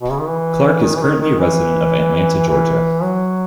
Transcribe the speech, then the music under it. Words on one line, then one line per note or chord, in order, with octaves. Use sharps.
Clark is currently a resident of Atlanta, Georgia.
B2
C#3
D#3
E3
D#3
E3
D#3
D#3
E3
E3
F#3